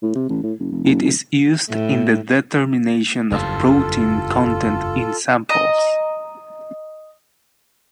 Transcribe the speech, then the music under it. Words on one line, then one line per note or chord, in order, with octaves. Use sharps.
It is used in the determination of protein content in samples.
A2
C3
A1
A2
F#1
F1
F#1
D1
A2
F#1 E2 G2 F4 A4
D#5 A#5